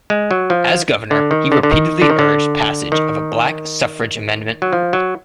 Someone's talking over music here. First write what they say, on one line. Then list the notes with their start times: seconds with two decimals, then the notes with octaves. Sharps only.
As governor, he repeatedly urged passage of a black suffrage amendment.
0.10 G#3
0.31 F#3
0.50 F3
1.11 D3
1.31 D#3
1.52 D3
1.63 D3
1.71 D#3
2.02 D3
2.10 D#3
2.19 D3
2.92 D#3
4.62 F#3
4.73 F3
4.93 F#3